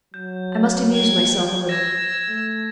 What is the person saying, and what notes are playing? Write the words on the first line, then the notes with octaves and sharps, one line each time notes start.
I must amuse myself a little.
F#3 G6
G5 G#6
E6 G#6 A#6
A3